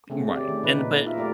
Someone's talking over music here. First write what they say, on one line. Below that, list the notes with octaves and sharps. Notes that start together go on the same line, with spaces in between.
M right. And but,
C#3 A3 C4 C#4
G4 D5
D#3 A3
A#2 D#3 D#4 B4
E4 F4 A#4 E5
A3 G4 D5